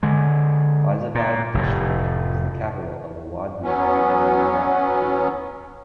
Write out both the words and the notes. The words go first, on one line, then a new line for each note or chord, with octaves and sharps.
Faizabad District was the capital of Awadh region during Nawab Period.
D3 G#3
A#2
F1 A2
F#3 B3 C#4